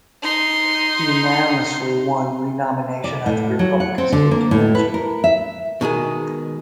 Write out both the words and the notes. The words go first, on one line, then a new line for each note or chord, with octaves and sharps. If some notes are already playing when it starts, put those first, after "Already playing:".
He unanimously won renomination at the Republican state convention.
D#4 C6
D5
A2
F#3
F#5
C4
D3
A#3
A2
B4
A#4
E5
B2 D#3 G#3 G#4